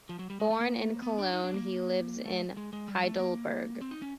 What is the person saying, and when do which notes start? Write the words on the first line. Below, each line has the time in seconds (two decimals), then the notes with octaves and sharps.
Born in Cologne, he lives in Heidelberg.
0.09 F3
0.19 F#3
0.30 G3
0.40 G#3
0.50 A3
0.61 A#3
1.02 B3
1.18 D4
1.33 D#4
1.44 D4
1.54 A#3
2.26 A3
2.57 G#3
2.73 G#3
2.88 G3
3.04 A3
3.19 A#3
3.81 C4
3.91 D#4
4.02 C#4